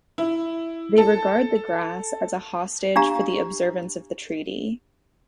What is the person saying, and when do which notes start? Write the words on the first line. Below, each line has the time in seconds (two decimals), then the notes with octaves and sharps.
They regard the grass as a hostage for the observance of the treaty.
0.18 E4
0.98 A4
2.96 D4 G4 F5 A#5